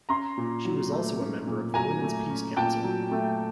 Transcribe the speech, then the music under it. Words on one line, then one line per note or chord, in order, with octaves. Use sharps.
She was also a member of the Women's Peace Council.
C#4 A#5 C6
A#2
F#3
A3
C#4
A#2
F#3 G#5 A#5
A3
C#4
A#2 G5 A5
F#3
A3